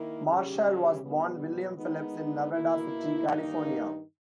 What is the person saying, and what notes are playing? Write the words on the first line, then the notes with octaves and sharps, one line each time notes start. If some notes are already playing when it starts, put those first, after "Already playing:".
Marshall was born William Phillips in Nevada City, California.
Already playing: D#3 A#3 E4
D#2 C#3 G3 C#4 G4
E2 B2 G3 B3
D#3 G#3 B3 D#4
B2 A#3 E4
G2 D#3 A#3 D#4